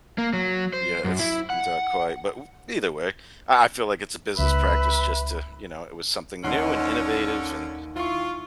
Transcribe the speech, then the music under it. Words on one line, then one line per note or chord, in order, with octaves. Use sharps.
Yeah, it's not quite, but, either way, I I feel, like, it's a business practice just to, you know, it was something new and innovative and
A#3
F#3
C5
F#2
E4
F#5
C#2 B4 E5
D#2 D3 C#4 F#5 C6
E4 F4 C#6